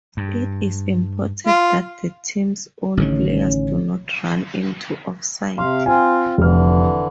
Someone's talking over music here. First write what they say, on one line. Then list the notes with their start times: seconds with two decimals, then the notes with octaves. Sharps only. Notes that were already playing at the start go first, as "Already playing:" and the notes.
It is important that the teams own players do not run into offside.
0.17 G2
1.47 F4
2.97 A1 D3 D#3 C#4
5.58 C3 F5 C6
5.86 C4 F4 G#5
6.38 F1 D3 E3 F6